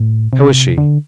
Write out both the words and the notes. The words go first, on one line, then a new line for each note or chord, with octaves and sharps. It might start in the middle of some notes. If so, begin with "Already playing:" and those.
How is she?
Already playing: A2
C3
D3